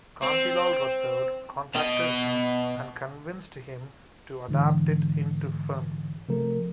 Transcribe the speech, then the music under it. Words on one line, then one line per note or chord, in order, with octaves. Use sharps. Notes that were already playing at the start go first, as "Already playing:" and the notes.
Kantilal Rathod contacted him and convinced him to adapt it into film.
C4
B2 D#5
G#2 D3 E3
C3 F3 A3 A#4